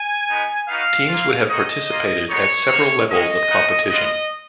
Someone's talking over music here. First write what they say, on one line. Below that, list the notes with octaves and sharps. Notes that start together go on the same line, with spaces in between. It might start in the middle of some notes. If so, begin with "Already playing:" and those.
Teams would have participated at several levels of competition.
Already playing: G#5
G#3 B3 D#4
B3 D#4 F#4 F5
A#3 F4
G#3 D#4 F#4 D#5
A#3 F4
G#3 B3 D#4 C#5
A#3 D#4 F#4
G#3 C#4 F#4 D#5
B3 D#4 F#4
B3 F4 D#5